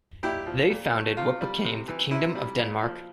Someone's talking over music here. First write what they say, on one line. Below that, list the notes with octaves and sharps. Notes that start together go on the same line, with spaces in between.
They founded what became the Kingdom of Denmark.
A#2 E4 G4
F3
A#2
A3
C3 F4
G3
C3
E3
C3 E4
G3
A#2
F3